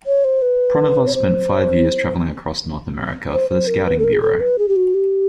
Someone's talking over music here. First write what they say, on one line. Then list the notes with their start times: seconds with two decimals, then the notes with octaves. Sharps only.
Pronovost spent five years traveling across North America for the Scouting Bureau.
0.06 C#5
0.24 C5
0.42 B4
1.07 C#5
1.15 C5
3.32 C5
3.50 C5
3.67 A#4
3.86 B4
3.99 A4
4.04 A#4
4.13 G#4
4.22 A4
4.40 B4
4.59 G#4
4.68 G4
4.76 F#4
4.94 G4